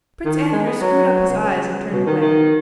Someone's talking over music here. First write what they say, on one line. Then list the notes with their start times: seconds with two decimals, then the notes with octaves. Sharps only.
Prince Andrew screwed up his eyes and turned away.
0.25 D#3
0.52 G#3
0.67 B3
0.81 F#3
1.29 B2
1.37 C#3
1.93 B2
2.07 D#3
2.21 D#3